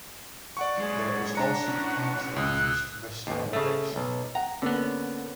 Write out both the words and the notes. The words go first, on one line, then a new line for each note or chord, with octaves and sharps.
There is also a potential increased risk of addiction.
D5 F#5 C#6
F#2 G#3 G#4 C#5
D4 F#5 A#5 F#6 C#7
A2 C#4
C#2 D#6 E6 F#6
A1 D#2
C#3 A3
B1
F#5 A#5
D3 A#3 B3 C#4